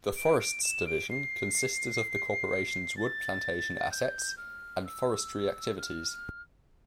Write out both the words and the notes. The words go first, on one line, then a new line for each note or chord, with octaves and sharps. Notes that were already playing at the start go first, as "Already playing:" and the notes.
The Forests Division consisted of the corporation's wood plantation assets and forestry activities.
D7
D7
E7
D7
C7
A6
G6
F6
E6
F6